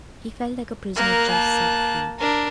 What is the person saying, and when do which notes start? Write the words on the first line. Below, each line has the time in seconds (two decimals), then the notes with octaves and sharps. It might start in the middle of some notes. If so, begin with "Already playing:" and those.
He felt like a prisoner just set free.
0.96 A#3 A#4 F#6
1.30 A5
2.19 D4 A#4